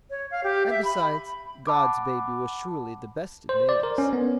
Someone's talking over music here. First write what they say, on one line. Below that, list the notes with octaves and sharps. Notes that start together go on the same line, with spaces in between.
And, besides, God's baby was surely the best of names!
C#5
F5
G4
E5
B5
F#5 A5 B5 D6
C5
D5
A#4
C#4
B3